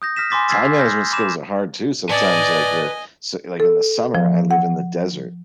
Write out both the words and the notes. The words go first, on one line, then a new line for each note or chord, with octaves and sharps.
Time management skills are hard too sometimes, like, we're so, like in the summer, I live in the desert
D#6 G6 A#6
D#6 F6 A#6 B6 E7
G#5 B5 C6 D6 A6 B6
E6 F6 G#6 A6 B6 C7
F6 G6 G#6 A#6
B5 D6 E7
B4 D5 D#5 G#5 A5
A4
F3
F#5